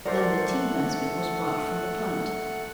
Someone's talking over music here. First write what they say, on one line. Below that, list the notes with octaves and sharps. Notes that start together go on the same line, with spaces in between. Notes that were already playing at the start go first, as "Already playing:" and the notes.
Then the tea-basket was brought from the punt.
A3 A4 A#4 C5 D5 F#5